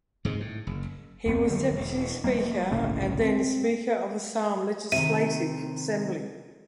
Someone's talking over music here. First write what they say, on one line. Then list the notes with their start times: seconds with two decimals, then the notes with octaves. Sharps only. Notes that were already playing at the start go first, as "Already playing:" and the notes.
He was Deputy Speaker and then Speaker of Assam Legislative Assembly.
0.25 G#2 C3 G#3
0.40 A2
0.67 F#1
1.26 F#1 F2 B3 C4
1.49 D3 F#3 G3
1.70 E1 D#2
2.24 F1 F2 G3 A#3
2.71 G1 C2 A2 C#3
3.22 C4
4.92 C3 D#3 E5 D#7